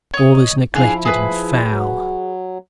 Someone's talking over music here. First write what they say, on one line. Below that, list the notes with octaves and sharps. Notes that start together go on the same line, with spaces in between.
All is neglected and foul.
C#5 D#5
F3 D4 E4 G#4 F5
G#4 B4
F#3